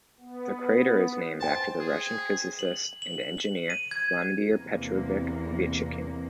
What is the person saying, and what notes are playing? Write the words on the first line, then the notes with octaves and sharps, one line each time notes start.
The crater is named after the Russian physicist and engineer Vladimir Petrovich Vetchinkin.
B3
C5 G5 A5
G#4
F#7
F#7
F#7
D#7
G#6
E2 C3 A#3